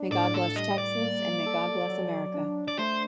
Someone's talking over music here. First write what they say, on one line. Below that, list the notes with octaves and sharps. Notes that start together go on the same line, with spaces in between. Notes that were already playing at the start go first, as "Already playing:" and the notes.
May God Bless Texas and May God Bless America.
Already playing: D4
A2 D5
A4
G3 D#5
D5
A#3
A4
F#3
D4
D5
A3 C5